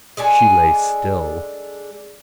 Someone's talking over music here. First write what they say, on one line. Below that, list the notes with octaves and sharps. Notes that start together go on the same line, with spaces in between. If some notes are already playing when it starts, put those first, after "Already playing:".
She lay still.
G#3 D4 G#4 A4